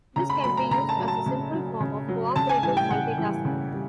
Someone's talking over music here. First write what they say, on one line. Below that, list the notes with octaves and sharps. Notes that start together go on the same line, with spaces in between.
This can be used as a simple form of cooperative multitasking.
C#3 A#5
B5
F#3 B5
A#5
C#3 A#5
A5
F#3
A5
C#3
F#3
C#3
F#3
C#3 A5
G#5
E3 G3 G#5
G5
C#3 F#5
E3 G3
C#3
G3